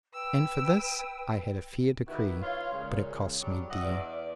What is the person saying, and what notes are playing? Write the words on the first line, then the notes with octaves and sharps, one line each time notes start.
And for this I had a fair decree, but it cost me dear.
B4 G5 E6
D#3 B3 E4 F#4 G4 B4
F4 C#5 F5
A#2 C#3 G#3
D3 F#3 G3 D4
D#5 E5 F#5
E2 D5